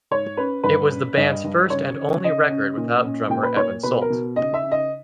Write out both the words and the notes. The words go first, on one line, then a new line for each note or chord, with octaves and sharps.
It was the band's first and only record without drummer Evan Sult.
G#2 C#5
C#4 B4
G2 B4
C#4
G2 D#5
G2
C#3 C#5
C#3
C#3 D#5
C#4
A#2
C#4
A#2 G5
B4
A#2 C#5
B2 B4
A#4
B2
C#3 D#5
E5
C#3
D#5